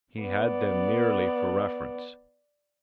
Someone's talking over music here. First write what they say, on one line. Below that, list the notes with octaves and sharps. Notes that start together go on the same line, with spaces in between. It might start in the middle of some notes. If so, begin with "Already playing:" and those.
He had them merely for reference.
B3 D5